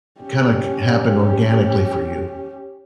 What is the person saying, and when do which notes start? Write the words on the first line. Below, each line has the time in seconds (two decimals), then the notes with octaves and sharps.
kinda c happen organically for you?
0.21 C#4 G4